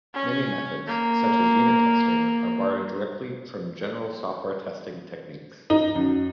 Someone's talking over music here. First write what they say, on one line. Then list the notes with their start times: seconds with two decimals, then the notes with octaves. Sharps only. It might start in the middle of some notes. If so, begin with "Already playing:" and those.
Many methods, such as unit testing, are borrowed directly from general software testing techniques.
0.15 C#4
0.87 A#3
5.70 D#4
5.95 F#2